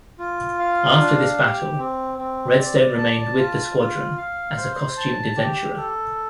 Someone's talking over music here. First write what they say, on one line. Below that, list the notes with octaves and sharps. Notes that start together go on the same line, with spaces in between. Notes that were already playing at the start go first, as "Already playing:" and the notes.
After this battle, Redstone remained with the Squadron as a costumed adventurer.
F4
F5
D4
G4
C4
C4
D5
A5
F4
F4
F5
C5
A5
G4
A4